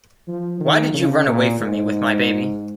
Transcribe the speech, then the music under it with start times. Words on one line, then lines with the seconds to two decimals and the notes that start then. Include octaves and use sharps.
Why did you run away from me with my baby?
0.28 F3
0.60 D#3
0.94 C#3
1.27 A#2
1.60 G#2